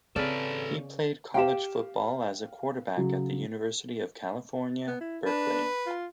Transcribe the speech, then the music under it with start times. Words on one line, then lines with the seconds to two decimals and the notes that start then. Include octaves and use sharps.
He played college football as a quarterback at the University of California, Berkeley.
0.16 C#3 C4 A4 B4 D5
1.34 G4 F5 G5 E7
2.97 C#3 F#3
4.87 B3
5.01 E4
5.26 D4 B4
5.87 F4